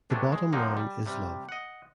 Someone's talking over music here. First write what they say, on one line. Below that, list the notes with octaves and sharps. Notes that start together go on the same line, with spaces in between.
The bottom line is love.
C3 F#3 A3 B3 C#4 D4
G#3
D3 F3 F#3 A#3 C4 D#4
G3
C3 G3
D#5 F#5